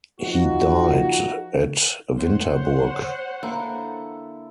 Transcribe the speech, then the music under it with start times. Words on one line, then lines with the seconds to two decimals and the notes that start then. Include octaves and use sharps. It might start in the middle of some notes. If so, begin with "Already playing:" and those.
He died at Winterburg.
0.21 F3 D#4 F4 F#4
2.18 C5 C#5 F#5
3.43 D3 A#3 E4 A4